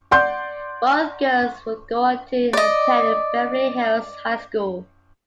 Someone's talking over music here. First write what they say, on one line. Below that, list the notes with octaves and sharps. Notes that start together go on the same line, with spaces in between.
Both girls would go on to attend Beverly Hills High School.
D5 F#5 C6 G6
D5 D#5